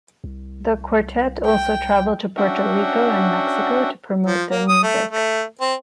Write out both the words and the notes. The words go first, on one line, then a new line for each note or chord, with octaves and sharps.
The quartet also traveled to Puerto Rico and Mexico to promote their music.
C2
G5
C#4 D4 F#4 E5 F#5 G5
F3
A#3
D#6
A3
A3
C4